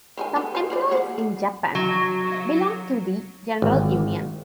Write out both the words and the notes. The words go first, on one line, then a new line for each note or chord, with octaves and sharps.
Some employees in Japan belong to the General Union.
D#3 G#3 G#5
B3 A4
D#3 C5
F4 G#4 D5
A#3 G#4 F#5
F#3
G#1